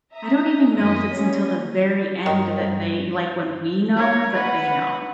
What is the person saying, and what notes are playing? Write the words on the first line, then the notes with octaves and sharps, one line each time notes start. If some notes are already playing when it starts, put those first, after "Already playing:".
I don't even know if it's until the very end that they like when we know that they know.
E5 A#5 D#6
F#2 D#3 F#3 D#5 D#6 B6
G3 A3 A#3 C#4
G2 D#3
A#4 C#5
B4 F#5